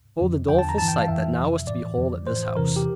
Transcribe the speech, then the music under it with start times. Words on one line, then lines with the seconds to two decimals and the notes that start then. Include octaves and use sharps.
Oh the doleful sight that now was to behold at this house!
0.19 F2 D3 F3
0.49 E2 D3 F3 G5
0.59 A5
0.69 A#5
0.78 G2 A5
0.82 E3
0.88 G5
0.98 F5
1.08 F2 E3 E5
1.38 F2 C3 F3
1.67 A2 E3 D5
1.97 F2 D3 F3
2.27 A2 E3 C5
2.57 E2 C3 E3 A#4
2.76 G4